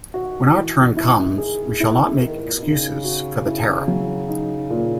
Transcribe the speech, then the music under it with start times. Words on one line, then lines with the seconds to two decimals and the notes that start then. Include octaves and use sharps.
When our turn comes, we shall not make excuses for the terror.
0.14 D#3 F#4
0.55 E3
0.97 E4
1.38 G#4
1.80 E4
2.22 A#4
2.27 G#2
2.39 A#2
2.51 B2
2.63 C#3 D#4
3.04 F#4
3.46 E4
3.88 F#3
4.28 D#4
4.70 A#2